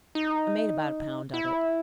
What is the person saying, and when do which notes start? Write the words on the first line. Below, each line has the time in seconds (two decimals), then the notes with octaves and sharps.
I made about a pound of it.
0.15 D#4
1.34 E4